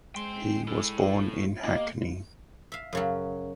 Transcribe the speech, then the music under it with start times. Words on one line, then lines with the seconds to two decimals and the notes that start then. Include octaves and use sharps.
He was born in Hackney.
0.15 G#3 G5 C6
0.68 E4 A4
1.64 A#3 B3 G4 D#5
2.72 E5 F5
2.93 F#2 C#3 F#3